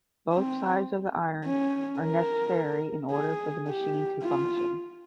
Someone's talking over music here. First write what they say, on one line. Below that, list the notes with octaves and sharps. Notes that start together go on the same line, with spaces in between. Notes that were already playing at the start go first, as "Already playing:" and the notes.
Both sides of the iron are necessary in order for the machine to function.
C4
C#4
A#4
G#4
G4
F4